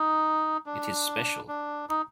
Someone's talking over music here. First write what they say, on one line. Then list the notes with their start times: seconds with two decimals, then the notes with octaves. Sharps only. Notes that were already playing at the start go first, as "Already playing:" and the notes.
It is special.
Already playing: D#4
0.66 D4
1.48 D4
1.89 D#4